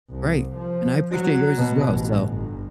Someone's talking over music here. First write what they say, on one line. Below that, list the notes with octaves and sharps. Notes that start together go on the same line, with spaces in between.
Right, and I appreciate yours as well, so,
C2
F3
F#3
B2
A1
G1